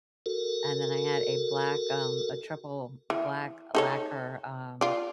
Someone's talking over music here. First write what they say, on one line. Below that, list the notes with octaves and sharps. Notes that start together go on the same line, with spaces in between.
and then I had a black, um a triple black lacquer, um,
F#4 A4 A#4
E3
D#4 A4 C#5
F4 D5